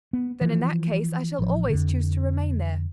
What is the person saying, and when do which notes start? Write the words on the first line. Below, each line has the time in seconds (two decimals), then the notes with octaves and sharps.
"Then in that case I shall always choose to remain there."
0.13 B3
0.41 E3 F3
1.39 A1 F3
1.69 F2 D3